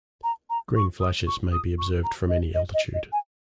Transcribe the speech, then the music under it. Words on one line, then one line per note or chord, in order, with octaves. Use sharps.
Green flashes may be observed from any altitude.
A#5
A#5
C#6
D#6
C#6
D#6
C#6
A#5
D#5
D#5
D#5
D#5
G#5